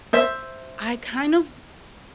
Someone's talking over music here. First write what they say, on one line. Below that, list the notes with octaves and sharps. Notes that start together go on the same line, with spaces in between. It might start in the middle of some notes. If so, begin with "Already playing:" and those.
I kind of
C5 E5